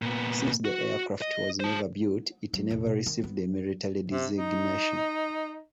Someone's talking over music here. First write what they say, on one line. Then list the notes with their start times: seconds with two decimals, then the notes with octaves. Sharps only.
Since the aircraft was never built, it never received a military designation.
0.02 A#2 B3
0.65 F#4
1.22 D#5
1.60 C5 A5
2.53 F#3
2.71 E1
2.87 B2
3.06 D#3
3.24 B3
4.10 C3
4.36 D#4